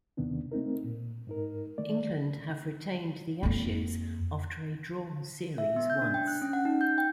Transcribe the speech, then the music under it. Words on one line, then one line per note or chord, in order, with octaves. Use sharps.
England have retained the Ashes after a drawn series once.
D#2 C3 D#3 B3 D4
A3 C4 D#4 A#4
A#2
G#2 D#4 A#4
D#3 A3 D5
F2 A#3
E5
B3
G6
D4
G5
F#6
C#4
F#5
D#4
G6
G5